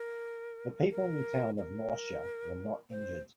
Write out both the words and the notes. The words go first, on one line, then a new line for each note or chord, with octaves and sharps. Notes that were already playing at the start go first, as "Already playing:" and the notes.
The people in the town of Norcia were not injured.
Already playing: A#4
A#4
A#4
C5